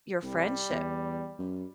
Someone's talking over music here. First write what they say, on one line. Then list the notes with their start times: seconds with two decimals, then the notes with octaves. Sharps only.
your friendship.
0.22 C2 G3
0.70 E2
1.39 F#2